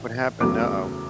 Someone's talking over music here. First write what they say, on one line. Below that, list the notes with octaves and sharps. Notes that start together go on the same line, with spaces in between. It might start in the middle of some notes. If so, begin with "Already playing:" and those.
What happened? Uh-oh.
Already playing: A1 A2
F#1 E2 C#3 F#3 A3 D6